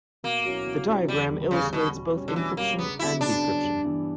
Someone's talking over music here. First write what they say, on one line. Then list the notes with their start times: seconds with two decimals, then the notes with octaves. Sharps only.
The diagram illustrates both encryption and decryption.
0.24 B2 A#3
0.45 F#3 C#4 E4
0.67 B2
0.88 F#3 C#4 E4
1.08 E2 G3
1.31 D3 G3
1.51 E2 C#3
1.73 B2 D3 G3
1.94 B2
2.15 G3 C#4
2.28 D3
2.36 B2 E3
2.57 G3 A#3 C#4
2.78 C#3 B3
2.99 F#3 B3 E4
3.20 C#3 D4
3.43 F#3 B3
3.63 G2
3.85 E3 B3